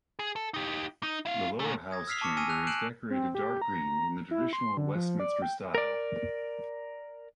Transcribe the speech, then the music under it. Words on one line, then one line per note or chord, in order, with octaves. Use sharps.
The lower house chamber is decorated dark green in the traditional Westminster style.
G#4
A4
D#4 G4
D#4
E4 F5
A#2 A3
D#6 G#6 A#6
E6 F6 B6 C7 F7
A5 C#6 D6 F6 C#7
G#5 C#6 E6 F6 A#6 D#7
F#6 F7
F#6 G6 C7 D7 E7 F#7
C4
G4
A#5
E4
C6
D3
F3
D5
G5
A#4 D5